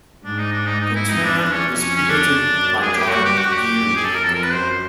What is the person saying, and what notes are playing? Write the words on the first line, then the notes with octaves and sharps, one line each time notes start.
The term was created by John Dewey.
G#2 D4
D#4
D4
D#4
D#4
E4
F2 D#4
D4
E2 D4
C#4
F2
C#4
C#4
D4
F#2
F#2
G#4
G4
G2 F#4
G4
F#2 F#4
G4
G#4
A4
A#4
F2 A4
A#4
B4
F#2 C5